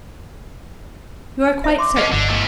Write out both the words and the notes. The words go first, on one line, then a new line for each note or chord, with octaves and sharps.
'You are quite certain?
C5 E5
C6 D6
C#4 D4 B4 D#5 F#5
G1 D3
E2 A3